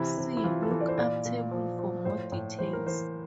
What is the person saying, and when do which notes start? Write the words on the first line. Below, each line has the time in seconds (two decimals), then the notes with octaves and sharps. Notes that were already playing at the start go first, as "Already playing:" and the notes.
See lookup table for more details.
Already playing: C3 E3 E4
0.18 C3
0.37 E4
0.44 E3 F4
0.63 A4
0.71 E3
0.81 D5
0.88 C5
0.98 A#2 D5
1.25 A#2
1.51 F3
1.79 F3
2.05 A2 C5
2.32 A2
2.59 E3 C5
2.73 A#4
2.86 E3 C5